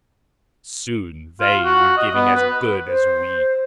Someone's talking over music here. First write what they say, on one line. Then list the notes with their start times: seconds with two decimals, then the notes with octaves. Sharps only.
Soon they were giving as good as we.
1.41 F4
1.64 F#4
1.97 D#5
2.15 B3
2.36 B4
2.87 C5